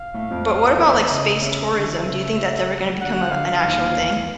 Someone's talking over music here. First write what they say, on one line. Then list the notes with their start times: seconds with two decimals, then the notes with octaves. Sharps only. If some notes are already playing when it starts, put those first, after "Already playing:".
but what about, like, space tourism? Do you think that's ever gonna become a an actual thing?
Already playing: F5
0.14 A2 A3
0.30 F2 F3
0.77 E2 E3 E5
1.09 C#3 D#5
1.41 C#3 E5
1.73 D3
2.05 C#3
3.00 D3 F#5
3.32 D3 F5
3.48 D3
3.64 D#2 D#3
3.85 F3
3.96 E2 E3